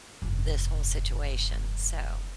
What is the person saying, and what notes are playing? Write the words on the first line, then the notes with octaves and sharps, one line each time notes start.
this whole situation, so
F1 G2